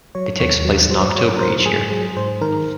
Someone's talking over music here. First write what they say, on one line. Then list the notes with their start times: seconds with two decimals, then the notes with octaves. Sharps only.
It takes place in October each year.
0.15 F#3 C#5
0.39 D#2 C#5
0.65 F#3
0.90 F#3 C5
1.16 F#3 C#5
1.37 A#4
1.41 F#3 C5
1.66 G#2 G#4
1.91 F#3 G#4
2.16 G#2 C5
2.41 D#3 A#4